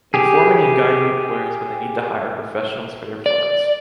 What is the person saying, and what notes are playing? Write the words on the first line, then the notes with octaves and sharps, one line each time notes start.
Informing and guiding employers when they need to hire professionals for their firms.
G4 G#4
D5